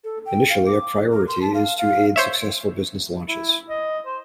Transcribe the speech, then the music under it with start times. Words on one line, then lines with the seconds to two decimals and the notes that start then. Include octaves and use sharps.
Initially, a priority is to aid successful business launches.
0.04 A4
0.26 G5
0.50 F5
0.66 D6
1.12 A#4
1.27 C6
1.42 A5
1.54 F5
1.78 F5
2.16 C5 C#5 E5
3.28 E4
3.70 D#5
4.06 C5